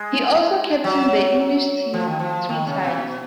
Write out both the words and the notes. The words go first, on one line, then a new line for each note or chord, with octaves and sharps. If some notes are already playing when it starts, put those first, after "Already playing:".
He also captained the English team three times.
Already playing: G#3
F#3
F3
D#3
F3
D#3
C#3
B2